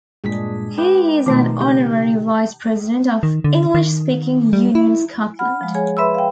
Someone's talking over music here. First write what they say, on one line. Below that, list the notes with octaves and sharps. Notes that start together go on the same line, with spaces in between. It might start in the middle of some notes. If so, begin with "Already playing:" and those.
He is an Honorary Vice-President of English-Speaking Union Scotland.
G2 A#2 G#3 D4 G#4 B6
B4 G5 D6
B2 D#3 F3 A3 D#4 C5 D6
C#3 G4 G6
D#3
D3
D#3
G3
E4
F#5 B5 F6
F3 G#3
G#4 C#5 G#5
B4 E5 B5 C6 E6
F5 G5